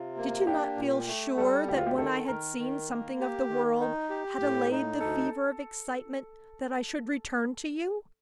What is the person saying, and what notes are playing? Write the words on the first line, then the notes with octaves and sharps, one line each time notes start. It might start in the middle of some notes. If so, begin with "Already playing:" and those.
Did you not feel sure that when I had seen something of the world--had allayed the fever of excitement--that I should return to you?
Already playing: C3 F4
A#3
D4 G4
A#2
A3
G3 A4
D2 G4
F4
G4
D#3 A4
D#3 A#4
D#3
A#3
G4
D#3
D#4
G4
A2
D#4
D2 A4